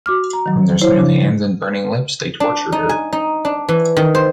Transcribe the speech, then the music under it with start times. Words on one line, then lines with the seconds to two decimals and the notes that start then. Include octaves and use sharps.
From their smooth hands and burning lips, they tortured her.
0.06 F#4 D6 F6
0.33 A#5
0.46 D#3 F#3
0.82 E4 C5 C#5
0.96 C#3 F3 D4
2.40 D4
2.72 D#4
2.89 G#5
3.13 D#4
3.45 D4
3.69 E3
3.97 D#3
4.15 C5